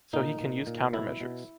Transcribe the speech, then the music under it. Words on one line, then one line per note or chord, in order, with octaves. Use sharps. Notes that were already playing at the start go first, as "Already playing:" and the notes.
So he can use counter measures.
A#2 D#4
A#2
A#2
B2 E4
B2